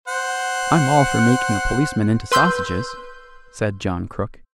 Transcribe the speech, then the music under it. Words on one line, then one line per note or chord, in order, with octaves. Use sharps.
"I'm all for making a policeman into sausages," said John Crook.
C5 F#5
B4 C6 E6 G6